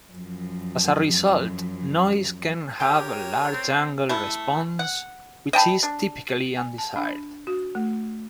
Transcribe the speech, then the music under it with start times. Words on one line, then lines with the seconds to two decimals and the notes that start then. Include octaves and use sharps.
As a result noise can have a large angle response which is typically undesired.
0.12 F#2 F3
2.80 G4 A#4 C#5
3.53 C4
4.09 A3 E4
4.79 F#5
5.53 D#5 G5 A5 B5
5.83 D4
6.56 G#5
6.78 A5
6.96 D4
7.47 F#4
7.75 A3